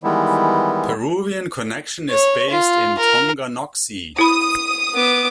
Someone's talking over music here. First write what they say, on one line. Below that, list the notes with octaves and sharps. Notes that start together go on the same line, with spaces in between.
Peruvian Connection is based in Tonganoxie.
D#3 E3 G3 G#3 B3 E4
C#5
F4
A#4
E4 B5 D#6
B3 D6